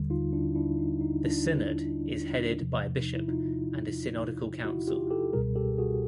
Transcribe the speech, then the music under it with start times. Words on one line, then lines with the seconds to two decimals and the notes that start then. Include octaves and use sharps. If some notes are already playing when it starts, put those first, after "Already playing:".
The synod is headed by a bishop and a synodical council.
Already playing: D#2 D3 G3
0.10 D#4 F4
0.33 D4 E4
0.55 D4 E4
0.79 D#4
1.01 D#4
1.24 D4 E4
2.60 E2 C3 F3
3.01 D#4
3.15 E4
3.28 D#4 F4
4.65 E4 F#4
4.87 F4 G4
5.10 G4 A4
5.33 C#2 B2 G3 G#4 A#4
5.56 G4 A4
5.79 F#4 G#4